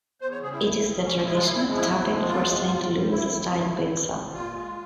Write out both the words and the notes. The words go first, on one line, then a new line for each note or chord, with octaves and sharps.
It is the traditional topping for Saint Louis-style pizza.
E2 C5
C#5
C#3 G3 G#4
E4
E2
C#3 G3
A#2 C#4
C#4
F3 G#3 E4
F4
A#2 E4
E4
F3 G#3
E4
E2
C3 F3 G#3
E2 F4
C3 F3 G#3
E2
C3 G3
E2 E4
C3 G3
F2
C3 G3
F2
C3 G3
A#2 F4
G#3